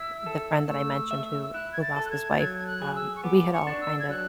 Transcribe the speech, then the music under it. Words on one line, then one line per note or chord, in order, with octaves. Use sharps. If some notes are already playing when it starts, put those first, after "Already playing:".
th the friend that I mentioned who who lost his wife, um, we had all kind of
Already playing: E4 E6
A4
A3 E6
E5
E4 F#6
G#6
A6
A4
F#6
G#6
A6
F#3 G#6
G#6
F#6
G#4
E6
C#6
B3 D6
C#6
D4
E6
G#6
F#3 F#6